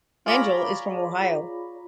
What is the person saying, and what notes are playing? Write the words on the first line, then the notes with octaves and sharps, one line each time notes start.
Engel is from Ohio.
F4 G#4 C#5 D5 A#5 B5